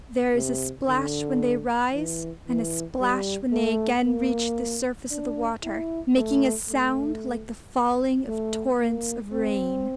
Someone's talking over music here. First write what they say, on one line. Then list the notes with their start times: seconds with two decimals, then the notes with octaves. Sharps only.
There is a splash when they rise, and a splash when they again reach the surface of the water; making a sound like the falling of torrents of rain.
0.35 C3
0.88 D3
1.94 E3
2.47 E3
3.00 G3
3.52 A3
4.05 A#3
5.11 D4
5.63 E4
6.16 A3
6.69 A3
8.28 A3
8.80 A#3
9.33 C4